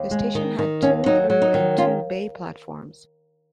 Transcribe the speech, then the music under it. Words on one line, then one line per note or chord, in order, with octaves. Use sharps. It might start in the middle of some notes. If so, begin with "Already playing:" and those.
The station had two through and two bay platforms.
Already playing: D#2
G#3
D#3 D#4
D#3
D#2 C#4
F#3 D#4
F#3
D#4
D#3
C#4 F4